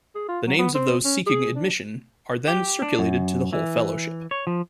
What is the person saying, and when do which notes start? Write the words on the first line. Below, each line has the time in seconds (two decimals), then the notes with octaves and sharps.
The names of those seeking admission are then circulated to the whole Fellowship.
0.15 G#4
0.29 F4
0.47 F#3
0.59 B3
0.75 C4
1.04 C#4
1.27 G#4
1.55 D4
2.48 G4
2.82 D4
2.99 F#2
3.53 E3
4.31 C#5
4.47 F3